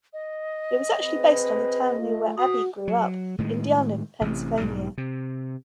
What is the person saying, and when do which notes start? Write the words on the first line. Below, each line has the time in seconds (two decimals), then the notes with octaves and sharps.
It was actually based on the town near where Abbey grew up, Indiana, Pennsylvania.
0.13 D#5
1.01 C4 G#4 B4
1.99 A3 F4
2.37 F#4 D#6
2.88 F#3
3.38 A2 D#3 G#3
4.21 A1 C3
4.60 B1 G#2 G3
4.98 C3